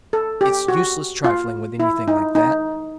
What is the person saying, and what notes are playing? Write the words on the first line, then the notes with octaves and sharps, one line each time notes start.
It's useless trifling with anything like that.
A4
G4
F#4
F4
E4
D#4
D#4